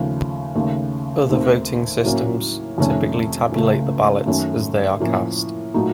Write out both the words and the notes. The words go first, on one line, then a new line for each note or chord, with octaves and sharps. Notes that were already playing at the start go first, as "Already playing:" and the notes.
Other voting systems typically tabulate the ballots as they are cast.
Already playing: D#2 C#3 F3 A3
D#2 C#3 A3
D#2 D#3 A3 C4
A2 F#3 A#3 C#4
F2 C3 D#3 A3 C#4
C#2 C#3 A3
F#2 D#3 A3 C#4
A2 F3 A#3 C#4
A#2 F#3 A3 D#4